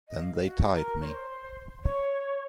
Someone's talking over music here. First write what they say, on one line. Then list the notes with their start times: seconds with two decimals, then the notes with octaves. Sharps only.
Then they tied me.
0.07 D#5
0.18 F5
0.45 F#4
0.73 A#4
1.01 C#5
1.05 C5
1.84 C#5